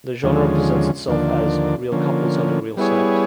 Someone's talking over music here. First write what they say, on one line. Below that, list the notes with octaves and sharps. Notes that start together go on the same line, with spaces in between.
The genre presents itself as "real couples having real sex".
D#2 D3 F3 G#3 C#4
D#2 D3 F3 A#3 D4
D3 F3 A#3 C#4
G3 B3 E4 G#4 C#5